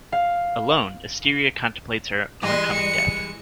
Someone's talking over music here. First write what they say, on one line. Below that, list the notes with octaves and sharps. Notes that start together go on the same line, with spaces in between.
Alone, Asteria contemplates her oncoming death.
F5
E3 G3 G#3 D#5 C6
C#7